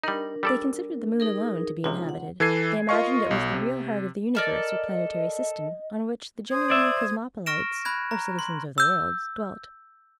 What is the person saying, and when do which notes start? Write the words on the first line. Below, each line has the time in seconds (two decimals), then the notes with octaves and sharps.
They considered the moon alone to be inhabited: they imagined it was the real heart of the universe or planetary system, on which the genuine Cosmopolites, or citizens of the world, dwelt.
0.04 G3 D4 D#4 A#4
0.43 G3 A4 D5
1.20 D#4 G#4 A#4
1.84 C#2 C3 D#4 F4
2.09 F#5
2.40 E3 A4 G#6 C7 D#7
2.89 F4 A#4 D#5 F5 C#6
3.31 B1
3.54 C3
4.35 A4 A#4 D5 D#5
6.50 C5 D#6 G#6
6.70 D5 E5
7.46 C#6 F6 A#6 D7 E7
7.85 B5 F#6 G#6
8.11 A#5
8.39 C6
8.78 E6 G6